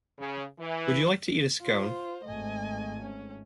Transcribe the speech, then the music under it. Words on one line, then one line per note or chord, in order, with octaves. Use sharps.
Would you like to eat a Scone?
C#3
E3
F4 C5
G#1 G#2 A3 D#5 G#5
C#4